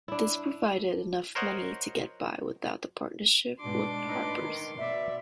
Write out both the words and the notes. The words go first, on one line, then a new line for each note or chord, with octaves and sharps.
This provided enough money to get by without the partnership with "Harper's".
D4 E4
A#4 C5 C#5 D#5 F#5
G#2 B2 D4 C6 D6
A2 D#4 B4
D#3
B2 D5 E5